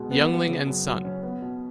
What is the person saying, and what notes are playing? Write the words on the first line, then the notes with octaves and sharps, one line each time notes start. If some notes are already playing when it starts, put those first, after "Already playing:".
Yuengling and Son.
Already playing: B2 G#3
B3
F#4
C#3
F#2
F#3
C#4
B3
B2